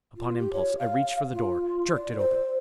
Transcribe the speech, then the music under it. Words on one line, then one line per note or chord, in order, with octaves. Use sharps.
Upon impulse I reached for the door, jerked it open.
F4
G4
C#5
F5
F4
D5
C5